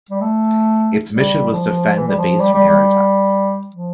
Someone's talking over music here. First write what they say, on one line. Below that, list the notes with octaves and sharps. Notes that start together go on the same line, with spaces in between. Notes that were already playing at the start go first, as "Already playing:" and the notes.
Its mission was to defend the base from air attack.
G3
A3
G3
F3
E3
G3
F3
G3
G3
G3
F3